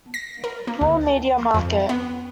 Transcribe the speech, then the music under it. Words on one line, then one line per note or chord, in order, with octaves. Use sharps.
Paul media market.
A#6
A#4
A#3
D2
F2
B3